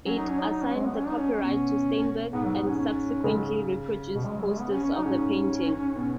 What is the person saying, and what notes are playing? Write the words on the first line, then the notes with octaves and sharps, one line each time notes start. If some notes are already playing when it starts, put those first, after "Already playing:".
It assigned the copyright to Steinberg and subsequently reproduced posters of the painting.
F#3 C#4
D#4
C#4
D#4
D#4
C#4
G#3
B3
C#4
D#4
C#4
C#4
B2
G#2 B3
F#3
B3
C#4
C#4
C#3 G#3
F#3
B2
G#3
F#3
G#3
B3
C#4
C#4
D#4
G#2 C#4
B2